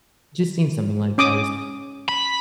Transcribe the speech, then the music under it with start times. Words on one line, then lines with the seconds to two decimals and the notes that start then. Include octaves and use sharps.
Just seen something like that, it was
1.18 C#4 D6 D#6
2.09 B5